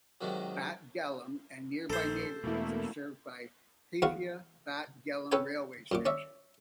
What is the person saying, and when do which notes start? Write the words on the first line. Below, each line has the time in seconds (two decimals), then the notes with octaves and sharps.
Bat Galim and nearby neighborhoods are served by the Haifa Bat Galim Railway Station.
0.21 G#2 C3 D#3 F#3
1.90 A#1 A4 C5
2.44 E2 B2 A3 A#3 E4
4.02 E2 B3 F#4 F5 C#6
5.32 C#4 A4 B4 G5 G#5
5.92 F#2 A#2 D6
6.05 C#4 D5 E5